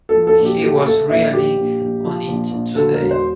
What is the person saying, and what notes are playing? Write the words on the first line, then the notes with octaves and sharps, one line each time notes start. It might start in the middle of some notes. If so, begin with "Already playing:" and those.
He was really on it today.
A4
F3
A4
A#1
G4
A3 G4
A3 A4
A#1 E5
A#1 G4
A#1
A#1
F3
A#1
A#1
D2 A4
A#4
E1
C5